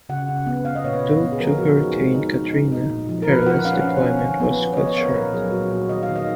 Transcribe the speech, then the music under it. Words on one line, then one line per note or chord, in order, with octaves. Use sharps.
Due to Hurricane Katrina, her last deployment was cut short.
C#3 F#5
C#3
B3
B3 F5
D#5
A#2 C#5
B4
A#2
B3
G#4
F3 A#4
F3 F#4
D#4 G#4
G#3
D#4
D#4
D#4
D#4
A#2
F3
A#4
F3 B4
F3 F#5
C#4 F5
C#4
C#4
D#3
B3
F3
C#5
F3 D#5
C#5
B3 A#4 F5
B4
A#2 A#4
F#3 G#4
A#2 F#4
A#2
D#3 D#5
F5
D#3
D#5